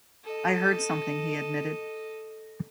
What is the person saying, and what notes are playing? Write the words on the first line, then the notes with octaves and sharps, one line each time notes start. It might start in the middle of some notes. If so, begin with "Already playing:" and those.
"I heard something," he admitted.
A4 D#5